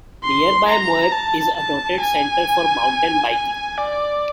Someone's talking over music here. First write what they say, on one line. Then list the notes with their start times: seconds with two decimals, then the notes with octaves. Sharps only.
Nearby Moab is a noted center for mountain biking.
0.24 C6
0.69 A#5
1.12 A5
1.57 A5
2.00 G#5
3.34 G#5
3.78 D5